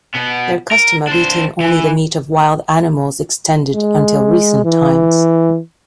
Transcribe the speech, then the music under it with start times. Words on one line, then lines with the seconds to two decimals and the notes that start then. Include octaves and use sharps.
Their custom of eating only the meat of wild animals extended until recent times.
0.15 B2 B3
0.72 A#4
1.07 D4 C5
1.60 E3
3.75 G#3
4.65 E3